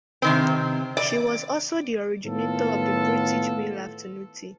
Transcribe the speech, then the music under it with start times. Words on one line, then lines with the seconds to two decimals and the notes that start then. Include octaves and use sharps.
She was also the originator of the British meal afternoon tea.
0.22 C3 D#3 C4
0.97 D5
2.24 A2 D#3 B3 F4 A4